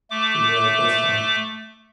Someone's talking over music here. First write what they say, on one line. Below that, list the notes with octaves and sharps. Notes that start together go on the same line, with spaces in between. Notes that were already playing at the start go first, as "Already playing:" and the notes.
Right, that's funny.
A3 D6